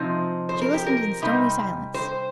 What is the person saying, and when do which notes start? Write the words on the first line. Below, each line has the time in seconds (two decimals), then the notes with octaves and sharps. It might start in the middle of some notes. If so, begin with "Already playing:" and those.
She listened in stony silence.
Already playing: C3 F3 C4 D#4
0.49 C5
0.61 A#4
0.74 G4
0.87 A#4
1.22 C3 G3 D#4
1.94 C5